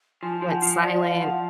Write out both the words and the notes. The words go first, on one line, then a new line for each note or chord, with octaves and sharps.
went silent,
F3 G#5
F3
F#5
F3
F3 D5
F3 F5
F3 F#5